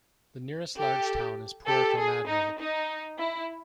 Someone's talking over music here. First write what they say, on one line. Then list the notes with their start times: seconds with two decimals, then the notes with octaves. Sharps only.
The nearest large town is Puerto Madryn.
0.77 G4 A4
1.67 G4 A4
1.98 G#4
2.27 D#4
2.58 D#4
3.18 E4